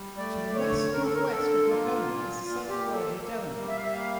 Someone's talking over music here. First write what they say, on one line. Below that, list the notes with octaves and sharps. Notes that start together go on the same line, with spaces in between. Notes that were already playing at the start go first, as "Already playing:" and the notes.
To the west-northwest of Marconi is the slightly larger Dellinger.
Already playing: G3
A3 D5
D3 C#5
D3 A#4
A4
A#4
D3 A4
A#3 F4
A#2
A#2 F4
G4
A#3
A4
A#3
G3
E5
F5
E5
A#3 F5